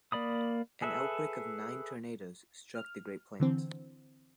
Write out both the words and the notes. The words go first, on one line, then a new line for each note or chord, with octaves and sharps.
An outbreak of nine tornadoes struck the Great Plains.
A#3 D5 B5 D#6
G#4 A4 B4 E5
F6
D3 E3 C4